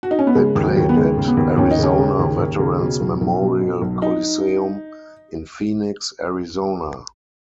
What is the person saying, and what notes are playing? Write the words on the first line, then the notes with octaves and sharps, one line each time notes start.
They played at Arizona Veterans Memorial Coliseum in Phoenix, Arizona.
F#4
D#4
C#4
B3
C#3 G#3
D#2
F#3
D#2
B3
C#3 G#3
C#3
B3
D#2
D#2 C#4
D#4
C#3 C#4
C#3
D#2
D#2
C#3
B2
B1
B1
B2
B2
B1
D#4